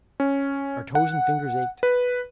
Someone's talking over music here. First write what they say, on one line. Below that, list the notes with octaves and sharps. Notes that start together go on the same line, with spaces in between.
Our toes and fingers ached.
C#4
F#5
B4